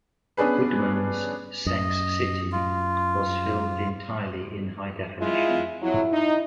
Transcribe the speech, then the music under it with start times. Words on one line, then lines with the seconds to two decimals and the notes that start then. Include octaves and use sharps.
Woodman's "Sex City" was filmed entirely in high definition.
0.37 B3 C#4 D4 G#4 B4
1.66 F#2 D#5
2.52 F4
5.20 G#3 E4 F4
5.82 F2 F#3 E4
6.11 D#4